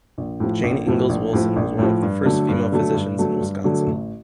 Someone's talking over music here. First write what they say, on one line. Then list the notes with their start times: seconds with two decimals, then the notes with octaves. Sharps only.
Jane Ingalls Wilson was one of the first female physicians in Wisconsin.
0.18 A#1
0.40 A2 F3
0.63 A#1
0.87 A2 F3
1.09 A#1
1.33 A2 F3
1.56 A#1
1.79 A2 F3
2.02 G2
2.25 D3 F#3 A3
2.48 G2
2.72 D3 F#3 A3
2.94 G2
3.18 D3 F#3 A3
3.40 G2
3.64 D3 F#3 A3
3.87 A1